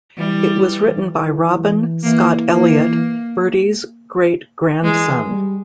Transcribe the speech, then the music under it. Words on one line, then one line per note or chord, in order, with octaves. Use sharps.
It was written by Robin Scott-Elliot, Bertie's great-grandson.
E3 G3
E3 A#3
E3 A#3
E3 G#3
E3
G#3
G3